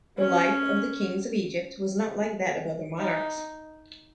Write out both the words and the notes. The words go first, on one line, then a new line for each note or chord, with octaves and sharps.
The life of the kings of Egypt was not like that of other monarchs.
C#4
D#4